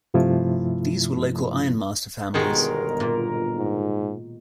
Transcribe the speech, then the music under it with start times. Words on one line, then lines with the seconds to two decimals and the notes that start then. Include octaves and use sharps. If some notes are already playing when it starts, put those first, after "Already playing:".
These were local ironmaster families.
0.14 G2 C3 F3 A3 E4 F4
2.34 G1 B2 D#3 G#3 A#4
3.00 A#2
3.56 G#2